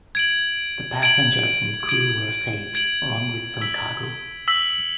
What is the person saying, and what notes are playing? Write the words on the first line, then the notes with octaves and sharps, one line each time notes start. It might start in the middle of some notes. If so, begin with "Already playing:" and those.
The passengers and crew were saved, along with some cargo.
G#6 D7 F#7
G#6 D7 F#7
G#6 D7 F#7
G#6 D7 F#7
E6 B6 F#7
E6 B6 F#7